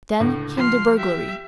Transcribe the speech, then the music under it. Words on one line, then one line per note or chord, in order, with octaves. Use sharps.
Then came the burglary.
C#2 A2 D3
F3 C6 F6
G4 E5